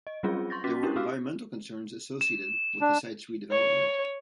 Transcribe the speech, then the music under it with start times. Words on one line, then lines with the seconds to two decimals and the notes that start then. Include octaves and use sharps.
There were environmental concerns associated with the site's redevelopment.
0.07 D#5
0.23 F#3 G3 C4 C#4 F4 G#4
0.50 C6 C#6 G6 A6 A#6
0.64 C#4 F#4 D6 A6 B6
0.83 C#4 D4 E4 G4 A#4
0.96 F#4 G4 F5 D6 E6 F6
2.21 E7
2.81 D4
3.52 C#5